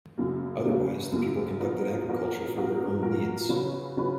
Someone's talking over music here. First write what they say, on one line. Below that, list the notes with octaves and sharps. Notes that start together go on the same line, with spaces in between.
Otherwise, the people conducted agriculture for their own needs.
F#2 C#3 F#3 A#3
F#2 C#3 F#3 A#3
F#2 C#3 F#3 A#3
A#2 F3 B3 F#4 A#4
A#2 F3 B3 F#4 A#4
A#2 F3 B3 F#4 A#4
A#2 F3 B3 F#4 A#4
C#3 F#3 C#4 F4 B4
C#3 F#3 C#4 F4 B4